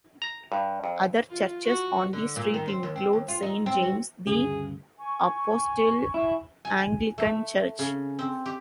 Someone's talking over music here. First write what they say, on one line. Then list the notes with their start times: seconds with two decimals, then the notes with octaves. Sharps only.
Other churches on the street include Saint James the Apostle Anglican Church.
0.22 A#5
0.52 G2
0.84 F2
1.30 F4
1.65 F#4
2.13 D3
2.36 A#2
2.54 D#3
2.68 C4
2.83 D#2
2.96 C4
3.13 D#2
3.28 F4
3.43 D#4
3.66 C4
3.82 F#4
4.27 D2 G2 C#3 G#4
4.98 G#5 C#6
6.14 E4
6.65 G#5
7.18 A3
7.79 C#3
8.19 C4
8.46 G4